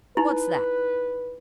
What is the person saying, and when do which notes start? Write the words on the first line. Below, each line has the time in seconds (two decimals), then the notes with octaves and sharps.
"What's that?"
0.17 D#4 E4 B4